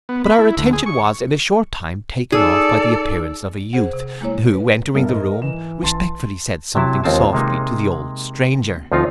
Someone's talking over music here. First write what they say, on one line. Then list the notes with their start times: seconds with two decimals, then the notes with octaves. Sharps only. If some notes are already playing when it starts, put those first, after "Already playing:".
But our attention was in a short time taken off by the appearance of a youth, who, entering the room, respectfully said something softly to the old stranger.
0.09 B3
0.25 B5
0.38 E4
0.58 D2
0.73 G#4
0.86 C#6
2.32 D#4 G#4 A4 D5 E6
3.73 G#4 C5 F#5
3.93 C3
4.21 G#3 A#3 E4 C#5
4.53 B4
4.95 G2 B3 A4 A#4 E5
5.09 G#2 D#5
5.42 E3 E7
5.83 A1 A5 C6 A6
6.75 C3 F#3 E4 A5
7.04 D#2 G#3 C4 F4 A5
7.33 C3 G#3 A#3 D#4
8.92 D2 F3 C4 D#4 F4